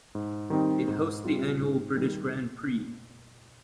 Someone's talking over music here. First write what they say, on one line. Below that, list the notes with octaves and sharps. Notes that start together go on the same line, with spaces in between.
It hosts the annual British Grand Prix.
G#2
D#3 G3 C4 D#4
G#2
G3 C4 F4
G#2
D#3 G3